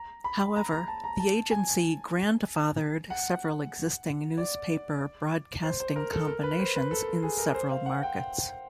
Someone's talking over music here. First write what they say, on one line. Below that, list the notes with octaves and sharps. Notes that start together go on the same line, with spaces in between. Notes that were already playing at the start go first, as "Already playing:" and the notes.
However, the agency "grandfathered" several existing newspaper-broadcasting combinations in several markets.
Already playing: A#5
B5
A#5
A#5
A5
A#5
A5
G#5
F#5
D5
C5
C5
A#4
A4
A#4
B4
C5
B4
A4
A4
G#4
A#4
C5
F5
F#5
G5